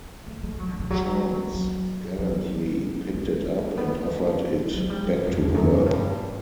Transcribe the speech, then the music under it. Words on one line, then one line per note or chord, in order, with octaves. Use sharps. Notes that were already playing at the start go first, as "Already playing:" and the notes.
Charles gallantly picked it up and offered it back to her.
A3
A3
F#3
D3
D3
F#3
F#3
F#3
A3
A3
A3
A3
B3
B3
E3
F#3
G3
F#3
G2
E2
E2
F#2
F#2
G2